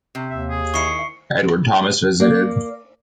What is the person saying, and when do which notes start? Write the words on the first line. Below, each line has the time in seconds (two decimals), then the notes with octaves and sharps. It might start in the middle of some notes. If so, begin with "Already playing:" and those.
Edward Thomas visited.
0.15 C3
0.30 D#2 E5
0.50 G#4
0.74 D#3 E4 C#6 C7 C#7
2.20 A#3 D5